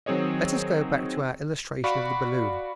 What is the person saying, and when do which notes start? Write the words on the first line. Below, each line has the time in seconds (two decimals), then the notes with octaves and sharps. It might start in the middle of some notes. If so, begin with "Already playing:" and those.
Let us go back to our illustration of the balloon.
0.06 D#3 F#3 C4 G#4 C#5 D#5
1.84 F#4 D5 F5 B5 C#6